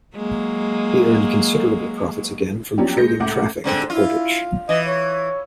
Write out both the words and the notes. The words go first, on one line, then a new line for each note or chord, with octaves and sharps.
He earned considerable profits again from trading traffic at the portage.
F#3 G#3 A#3
F3 F#3 B3 C#4 D4 G4
A#2 G#3 G6 A#6 C#7
C#2 A2 A3 F#5 D6
G#2 D3 C4
E4 F4
E3 D#5
C#5